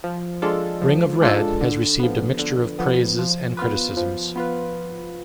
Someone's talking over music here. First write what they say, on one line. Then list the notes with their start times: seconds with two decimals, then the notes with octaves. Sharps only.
"Ring of Red" has received a mixture of praises and criticisms.
0.04 F3
0.42 G#3 D4 F4 A4
0.81 F3
1.22 G#3 D4 F4 A4
1.61 D3
2.00 F3 B3
2.39 D3
2.79 F3 B3
3.19 F3
3.57 B3 F4 B4
3.97 F3
4.36 B3 F4 B4